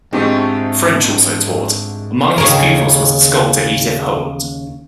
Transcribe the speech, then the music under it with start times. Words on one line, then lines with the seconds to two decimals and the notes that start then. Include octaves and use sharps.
French also taught; among his pupils was the sculptor Edith Howland.
0.13 G#2 D3 G#3 A3 C4 D#4 F4 G4
2.38 D#2 C#3 A#4